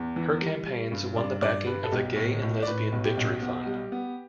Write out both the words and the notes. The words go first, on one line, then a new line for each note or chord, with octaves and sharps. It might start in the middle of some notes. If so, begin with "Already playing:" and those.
Her campaigns won the backing of the Gay and Lesbian Victory Fund.
Already playing: E2
E3
G3
G3
G2
G2 D5
G2 D5
G3 B4
A4
B1 G4
A2
A2
D5
A2 B4
B1
G4
B1
B3
G3
B3